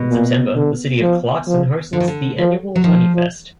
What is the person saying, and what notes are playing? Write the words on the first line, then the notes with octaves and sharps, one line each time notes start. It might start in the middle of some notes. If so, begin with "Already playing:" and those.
In September the city of Clarkson hosts the annual Honeyfest.
Already playing: B2
A#2
D3
F3
F3
D3 F3
D#3
D3
F3
F#3
D#3 F3
F3